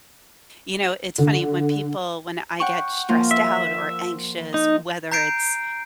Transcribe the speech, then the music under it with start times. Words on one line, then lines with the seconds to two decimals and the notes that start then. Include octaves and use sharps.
You know, it's funny. When people when I get stressed out or anxious, whether it's
1.18 D3
2.60 F#5 G5 C#6
3.09 F3 A#3 F4
3.31 E5
4.54 D#4
5.12 A#5 G6 C7 D7